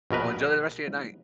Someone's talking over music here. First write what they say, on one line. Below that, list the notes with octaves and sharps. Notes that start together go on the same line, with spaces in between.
Well, enjoy the rest of your night.
A#1 B2 A#4 B4